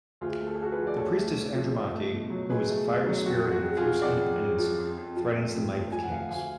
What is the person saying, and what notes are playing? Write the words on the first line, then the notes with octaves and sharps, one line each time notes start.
The priestess Andromache, whose fiery spirit and fierce independence threatens the might of kings.
D2 F4 G#4
A3
A4
G#4
C#3 F#4 A4
G#4 B4
F3
D5
D2 A4 C#5
A3
C#3
F3
C#2
A3
B2
F#3
C#2 G#4 B4
A3
B2
F#3
F2 F#4
F2
F#4
C#3
F4 G#4
F3
F2 D5 F#5
F2
C#3
F3
F2
F2
F3
A3
F2
F2
F3 G#5
F#5
A3 F5 G#5
D2 F5 G#5